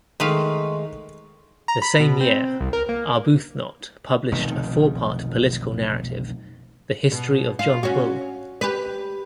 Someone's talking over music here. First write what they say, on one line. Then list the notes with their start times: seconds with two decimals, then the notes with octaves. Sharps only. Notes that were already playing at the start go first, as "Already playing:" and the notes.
The same year Arbuthnot published a four-part political narrative "The History of John Bull".
0.20 D#3 G#3 A3 B4 F5 C6 C#6
1.68 A#5
1.82 B5
2.00 B2
2.21 C4
2.61 C2
2.73 A#4
2.89 A#3
4.32 F1 B1 D#3
7.12 B2
7.59 F4
7.83 C#4 F#4
8.61 G4 B4